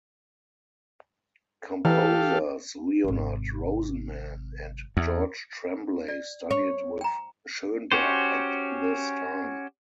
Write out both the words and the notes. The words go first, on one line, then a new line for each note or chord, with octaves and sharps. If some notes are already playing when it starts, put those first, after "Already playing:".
Composers Leonard Rosenman and George Tremblay studied with Schoenberg at this time.
E3 G4 A4 F5
G#1 C3
E2
D5
C#5
G5 A#5
C#4 F#4 G4 C5